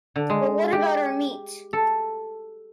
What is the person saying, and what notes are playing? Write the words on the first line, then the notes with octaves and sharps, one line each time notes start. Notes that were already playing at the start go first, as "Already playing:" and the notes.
But what about our meat?
D3
G#3
G4
A4